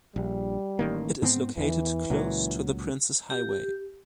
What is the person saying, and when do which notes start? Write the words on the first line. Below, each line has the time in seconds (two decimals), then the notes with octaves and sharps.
It is located close to the Princes Highway.
0.16 A#1 G3
0.79 A1 D#3 A#3
1.22 G#2 B3 C4
1.57 E2 E3
2.10 C#2 A#2 F#3
3.30 G4